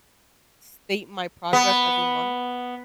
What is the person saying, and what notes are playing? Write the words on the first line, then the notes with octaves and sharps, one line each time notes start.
state my progress every month.
B3